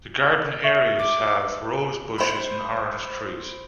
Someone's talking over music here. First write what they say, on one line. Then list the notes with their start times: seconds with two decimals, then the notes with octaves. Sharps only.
The garden areas have rosebushes and orange trees.
0.64 E5 C#6
0.99 D6
2.18 C5 B5